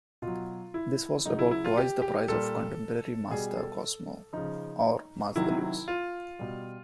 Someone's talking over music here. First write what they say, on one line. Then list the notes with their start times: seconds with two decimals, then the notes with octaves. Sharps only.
This was about twice the price of a contemporary Mazda Cosmo or Mazda Luce.
0.22 B2 F4
0.28 F#3
0.74 E4
1.26 C#3 F#3 D#4
1.39 E4
1.51 E4
1.65 F4
1.77 G4
2.02 G4
2.28 A#2 G3 A4
3.31 B2 G3 G#4
3.57 A4
4.33 C#3 F3 D#4
5.36 C3 D#3 F#3 E4
5.88 F4
6.39 B2 G3